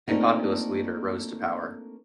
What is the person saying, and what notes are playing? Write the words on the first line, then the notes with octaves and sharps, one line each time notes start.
A populist leader rose to power.
A3 A#3 C4 D4 D#4 F4